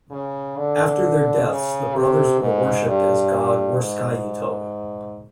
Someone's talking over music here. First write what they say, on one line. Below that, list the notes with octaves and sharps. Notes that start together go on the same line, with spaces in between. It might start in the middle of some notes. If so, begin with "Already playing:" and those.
After their deaths the brothers were worshiped as god Wurskaito.
C#3
D3
C#3
C3
G#2
G2
G#2